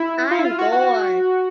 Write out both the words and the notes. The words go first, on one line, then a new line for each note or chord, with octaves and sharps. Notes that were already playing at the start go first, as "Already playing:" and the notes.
I’m bored.
Already playing: E4
F4
E4
F4
F#4
F#4